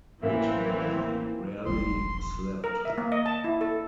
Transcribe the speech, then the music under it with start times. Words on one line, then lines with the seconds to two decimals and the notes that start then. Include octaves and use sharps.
Whitmore rarely slept.
0.23 A1 A2 E3 A#3 C4 C#4 E5
1.66 E1 A#1 G3 C6
2.64 A#4
2.85 E5
2.98 A#3
3.12 D#5
3.26 A5
3.44 E4
3.61 A4